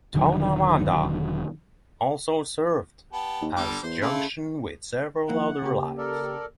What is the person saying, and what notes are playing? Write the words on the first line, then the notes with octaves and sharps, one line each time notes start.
Tonawanda also served as a junction with several other lines.
E1 D3 D#3 F#3
B3 G4 A5
D#2
G1 D3 G3 D6
E2 C5
C#3 A3 E4 F4
F3 A#3 E4 F#5
C#3 A#3 G4
A4 A#4 D5